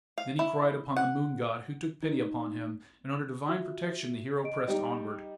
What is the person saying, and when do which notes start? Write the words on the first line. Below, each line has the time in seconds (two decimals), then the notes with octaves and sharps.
Then he cried upon the moon god, who took pity upon him, and under divine protection the hero pressed onward.
0.18 F5
0.39 E4
0.97 F#5
2.03 D#4
3.47 F4 F#4 E5
4.44 D#5 D7
4.68 G3 D#4